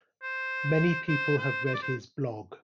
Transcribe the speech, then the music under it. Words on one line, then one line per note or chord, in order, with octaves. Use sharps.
Many people have read his blog.
C5
C5
C5
C5
D5
C5